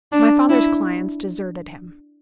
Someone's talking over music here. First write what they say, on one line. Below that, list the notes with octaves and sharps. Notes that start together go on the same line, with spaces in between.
My father's clients deserted him.
D4
E4